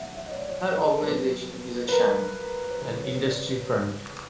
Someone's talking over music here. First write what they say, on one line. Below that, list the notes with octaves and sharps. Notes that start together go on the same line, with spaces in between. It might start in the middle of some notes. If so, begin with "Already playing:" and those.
Her organization is a sham, an industry front.
Already playing: B2 F#3 E5 F#5
E5
D#5
C#5
D5
C#5
G#4
A4
A#4
B2 F#3 B4
B4
A#4
C5
C#3 F3 B4
C#5
D5